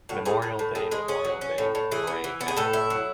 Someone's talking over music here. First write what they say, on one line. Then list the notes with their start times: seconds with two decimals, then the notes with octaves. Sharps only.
Memorial Day-Memorial Day Parade-Capt.
0.09 A2 F#4
0.25 A2 G#4
0.42 A2 G#4
0.59 A2
0.75 A2 G#4
0.91 G#3 G#4
1.08 C#4 G#4
1.25 F#3
1.41 C#4
1.58 A2
1.75 A2
1.91 E3 G#4
2.07 B3
2.24 E3
2.41 B3
2.48 G#4
2.57 A2 A4
2.73 E4
2.90 F#3